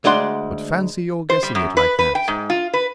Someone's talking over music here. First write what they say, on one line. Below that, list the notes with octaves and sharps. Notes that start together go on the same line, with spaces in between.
But fancy your guessing it like that.
D2 G#3 D5 F#5 C6
C5
G3
F#2
B4
B4
G5
G#2
F4
B4